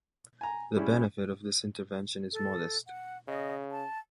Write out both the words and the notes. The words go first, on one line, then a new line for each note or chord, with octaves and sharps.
The benefit of this intervention is modest.
G#5 A#5
G3 G#3 C#4 E4
A4
F#5
C#3 D#5
A5